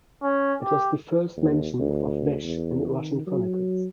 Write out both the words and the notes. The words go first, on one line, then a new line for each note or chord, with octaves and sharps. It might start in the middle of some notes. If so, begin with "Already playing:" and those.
It was the first mention of veche in Russian chronicles.
C#4
G4
D#2
D2
E2
D#3
F#3